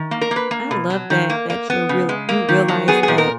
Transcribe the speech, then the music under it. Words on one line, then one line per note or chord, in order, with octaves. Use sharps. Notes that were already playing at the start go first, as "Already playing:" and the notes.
I love that that you're real you realize that,
Already playing: D#3
A#3
A#4
A#3
B4
A#3
B2
F#3
D#3
A#3
A#3
B3
C#3
G#3
A#3
D#3
F#3
B3 G#4
A#2 G#4
A#4